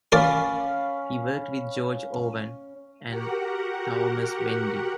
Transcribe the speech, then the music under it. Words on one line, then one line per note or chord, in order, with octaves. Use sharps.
He worked with George Owen and Thomas Wendy.
C#4 A#4 D5 F5 B5
F#4 G4 A#4 F#5